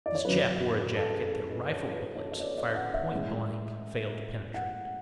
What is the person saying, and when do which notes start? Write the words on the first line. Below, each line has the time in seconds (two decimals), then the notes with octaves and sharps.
This chap wore a jacket that rifle bullets, fired point-blank, failed to penetrate.
0.06 D5
0.15 C#5
0.25 F#2 D3 F#3 B4
0.96 A4
1.14 G#4
1.32 G#4
1.51 B4
1.69 C#5
1.92 B4
2.16 C#5
2.32 C#5
2.40 D5
2.58 D5
2.75 F#5
2.94 E5
3.11 A2 G#3
4.54 F#5